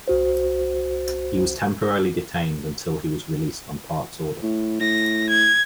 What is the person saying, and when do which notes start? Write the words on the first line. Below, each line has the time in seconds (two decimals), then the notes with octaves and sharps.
He was temporarily detained until he was released on Park's order.
0.08 C2 F#4 C5
4.43 A2
4.80 A2 A#6
5.29 G#6